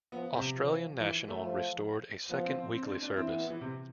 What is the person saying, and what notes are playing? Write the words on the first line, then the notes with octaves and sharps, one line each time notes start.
Australian National restored a second weekly service.
F3 B3
C3
F3
E3
A3
F3
F3 B3
C4
C4
C4
D4
C4
D4
E3 C4
B3
B3
E3
C3